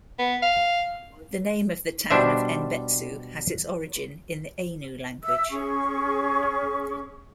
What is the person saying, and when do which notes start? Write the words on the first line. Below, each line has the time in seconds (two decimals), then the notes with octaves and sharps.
The name of the town of Enbetsu has its origin in the Ainu language.
0.19 B3
0.42 F5
2.10 B2 G3 D4 C5 E5
5.24 E5 E6
5.49 C#4 G#4 C#6